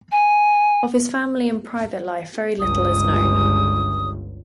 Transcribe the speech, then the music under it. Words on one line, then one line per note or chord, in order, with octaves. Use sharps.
Of his family and private life very little is known.
G#5
G1 C#2 D#6